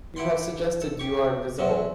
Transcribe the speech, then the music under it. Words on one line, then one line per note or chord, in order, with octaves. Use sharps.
You have suggested you are invisible.
E4 G4 F#5 G5 C6
A4
G4 C#6
E2 C3 F#3